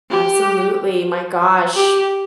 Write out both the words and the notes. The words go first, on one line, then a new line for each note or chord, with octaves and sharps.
Absolutely, my gosh.
G4
G4